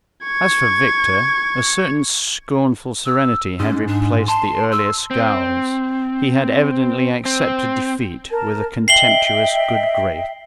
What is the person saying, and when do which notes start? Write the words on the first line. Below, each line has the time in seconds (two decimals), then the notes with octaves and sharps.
As for Victor, a certain scornful serenity had replaced the earlier scowls; he had evidently accepted defeat with a contemptuous good grace.
0.24 C#6 G#6
3.06 E6
3.60 G#2 C#4
3.88 D4
4.28 A5 C6
4.72 E6
5.11 C4
7.25 C4
8.31 A#4 A5
8.88 D#5 E5 G5 C7 F#7 G7